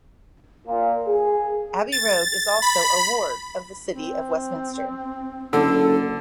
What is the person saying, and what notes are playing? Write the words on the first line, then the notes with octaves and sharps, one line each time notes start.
Abbey Road is also a ward of the City of Westminster.
A#2
G#4
A6
B5
C4
F#1 D3 A4